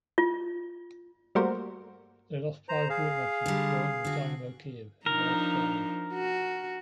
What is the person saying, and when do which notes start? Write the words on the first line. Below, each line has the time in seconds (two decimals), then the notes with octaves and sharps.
They lost five group matches, drawing with Dynamo Kyiv in the last round.
0.18 F4
1.35 G3 A3 A#3 F#4 A#4 C5
2.69 C5 A#5
2.90 G#4 F5
3.46 D3 G3
4.05 D3 F#4
5.06 F3 D4 D#4 A#4
6.14 F#4